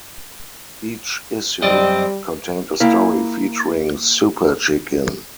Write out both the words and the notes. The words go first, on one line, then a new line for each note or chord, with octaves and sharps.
Each issue contained a story featuring Super Chicken.
F#2 G3 C4 D5 D#5
A#3 E4 F5